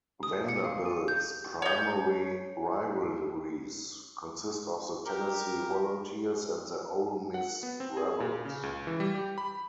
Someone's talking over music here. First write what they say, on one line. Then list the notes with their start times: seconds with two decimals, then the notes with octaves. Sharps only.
Vanderbilt's primary rivalries consist of the Tennessee Volunteers and the Ole Miss Rebels.
0.23 D#6
0.49 C#7
0.64 F5
0.86 G#5
1.08 G6
1.62 C#5 G6
5.05 G4 A#4
7.34 F#5
7.63 B3
7.80 C4
7.97 G#4
8.20 A#2
8.45 C#3
8.63 C#2
8.87 E3
9.00 G3
9.15 G4
9.38 B5